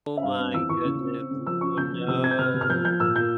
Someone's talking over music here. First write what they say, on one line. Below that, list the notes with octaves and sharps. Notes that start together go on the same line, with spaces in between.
Oh my goodness, oh no.
E5
G2 F5
C4
E2 E6
E2 C#6
C#3
C4
C4
C#3
F3 E6
C#4 C#6
C#3 G6
F3
C3 E6
C4 G#6
G6
C3 F6
C3
F6
F3 G6
F3 G6
A#2 E6
A#2 G6